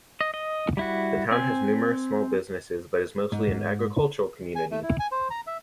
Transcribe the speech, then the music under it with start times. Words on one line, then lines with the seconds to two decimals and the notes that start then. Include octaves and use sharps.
The town has numerous small businesses but is mostly an agricultural community.
0.21 D#5
0.34 D#5
0.77 G3 E4 F#4
1.31 C4 G#5
3.32 G#2
4.55 G#5
4.71 A3
4.83 E4
5.00 G#5
5.11 C5
5.30 A#5
5.47 E5